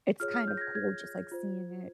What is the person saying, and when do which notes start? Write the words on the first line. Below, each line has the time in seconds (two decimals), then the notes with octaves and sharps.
it's kind of cool just, like, seeing it
0.20 F4 G#4 C#5 F6
0.34 F6
0.48 G6
0.57 A#6
0.61 G#6
0.75 G#6
1.32 F4 C5